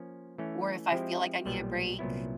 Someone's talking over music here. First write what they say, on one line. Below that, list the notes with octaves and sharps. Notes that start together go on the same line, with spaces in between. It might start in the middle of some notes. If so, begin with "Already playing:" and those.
or if I feel like I need a break,
Already playing: F3 A#3 C#4
E3 A3 C#4
F3 G#3 C4 E4 G4
B1 A#2 G3 B3
C2 A#2 F#3 B3 E4